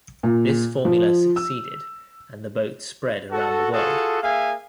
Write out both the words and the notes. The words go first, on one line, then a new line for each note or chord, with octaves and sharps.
This formula succeeded, and the boat spread around the world.
A#2
F3
E6
F#4 A4
F4 F#4 G#4 A4
A#3 G#4 E5 F5 G#5